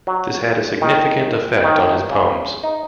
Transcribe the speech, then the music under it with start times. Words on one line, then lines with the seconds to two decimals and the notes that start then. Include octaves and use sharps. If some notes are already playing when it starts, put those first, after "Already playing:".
This had a significant effect on his poems.
0.07 F#3
0.81 D#3
1.64 D#3
2.10 C#3
2.63 D#4